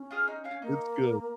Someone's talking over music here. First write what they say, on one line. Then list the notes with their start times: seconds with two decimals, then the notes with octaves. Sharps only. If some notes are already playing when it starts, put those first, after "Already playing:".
it's good.
Already playing: C#4
0.11 F4 G#4 F5
0.28 D#4
0.44 C#5 F5 G#5
0.62 A#3 D#4